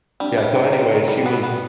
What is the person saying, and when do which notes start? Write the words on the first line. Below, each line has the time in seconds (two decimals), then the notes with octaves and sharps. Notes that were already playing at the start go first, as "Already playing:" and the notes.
Yeah, so anyway, she was
0.20 G3 D4
0.37 G3
0.55 D#3
0.73 D#3
0.91 D#3
1.08 G3
1.26 B3
1.43 B3